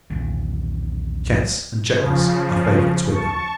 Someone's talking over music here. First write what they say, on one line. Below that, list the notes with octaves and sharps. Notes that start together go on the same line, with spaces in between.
Chess and checkers are favorites with them.
B1 E2 A#2 D#3
C#3 F3
A5 C#6